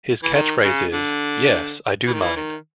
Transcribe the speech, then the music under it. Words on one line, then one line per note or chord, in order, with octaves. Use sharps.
His catchphrase is Yes, I do mind!
E3
D#3
C#3
D3
E3
D#3
E3
D#3